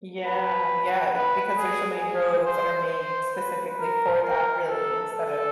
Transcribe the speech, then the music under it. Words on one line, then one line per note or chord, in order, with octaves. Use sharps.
Yeah, yeah, because there's so many roads that are made specifically for that, really, instead of
B4
B4
G#4
G#4
C5
C5
B4
A#4
A#4
A4
A4